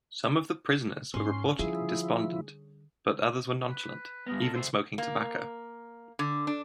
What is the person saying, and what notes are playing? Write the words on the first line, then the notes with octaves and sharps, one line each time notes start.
Some of the prisoners were reportedly despondent, but others were nonchalant, even smoking tobacco.
G#2 C#4 C6
D3 F3 G3 E4 G#4
B4
G2 B3 A#4
C4 A4
A3 A4 C5
A#3
D3
D4